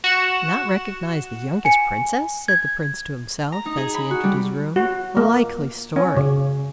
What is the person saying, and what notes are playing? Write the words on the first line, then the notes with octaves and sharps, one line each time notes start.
Not recognise the youngest princess!' said the Prince to himself, as he entered his room, 'a likely story!'
F#4 F#5 E7
G#5 C#7
G#6
A#5
D#4
G#4
B5
F#4
G3
F#4
A#3
C#4
C#3